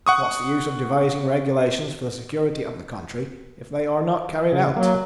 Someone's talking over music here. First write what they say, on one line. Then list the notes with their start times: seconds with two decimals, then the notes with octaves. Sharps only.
What's the use of devising regulations for the security of the country if they are not carried out?
0.07 F#5 C#6 D#6
4.52 C#3
4.77 F#3 A#3